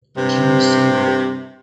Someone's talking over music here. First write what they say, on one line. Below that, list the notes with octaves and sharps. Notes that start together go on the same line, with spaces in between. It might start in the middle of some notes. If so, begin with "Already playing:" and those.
Genes Evol.
G2 C3